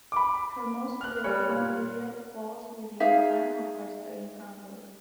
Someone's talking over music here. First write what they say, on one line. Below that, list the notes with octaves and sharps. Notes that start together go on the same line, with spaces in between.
Her most creative period falls within the time of her stay in Hamburg.
B5 D6
F6 F#6
G3 C#5
A#2
D#4 G#4 E5 F5